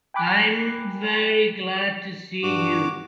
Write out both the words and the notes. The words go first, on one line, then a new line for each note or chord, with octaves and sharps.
I’m very glad to see you.
G5 G#5 B5 D6 F#6
G2 F#4 D6